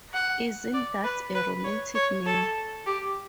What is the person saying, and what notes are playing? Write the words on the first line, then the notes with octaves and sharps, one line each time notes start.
Isn’t that a romantic name?
F#5
D5
B4
B4
C#5
C#5
A4
G4